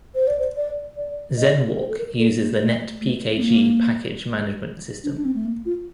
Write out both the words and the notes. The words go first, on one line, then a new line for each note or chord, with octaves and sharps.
Zenwalk uses the netpkg package management system.
C5
D5
C5
D5
D5
D#5
A#4
C5
A4
A#4
A4
A#3
A3
A3
C4
A#3
D4
D4
C4
A3
A#3
F4